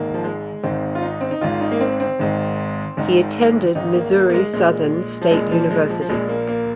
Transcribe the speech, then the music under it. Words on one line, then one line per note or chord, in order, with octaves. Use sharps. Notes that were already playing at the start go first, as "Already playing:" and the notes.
He attended Missouri Southern State University.
Already playing: G#1 G#2 D#3 A#3
F3
G#3
G#1 G#2 D#3 C4
F4
D#4
C4
D#4
G#1 G#2 D#3 F4
D#4
A#3
C4
C4
G#1 G#2 D#3
G#1 G#2 D#3
G#1 G#2 D#3 D#4
A#3
A#3
A#3
G#3
A#1 A#2 G#3
F3
A#1 A#2 G#3
F3
G#3
F3
F3
A#1 A#2 G#3
A#3
A#3